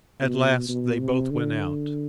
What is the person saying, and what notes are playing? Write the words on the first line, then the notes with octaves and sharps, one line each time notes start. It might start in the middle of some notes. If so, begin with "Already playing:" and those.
At last they both went out.
B2
B2
C3
D3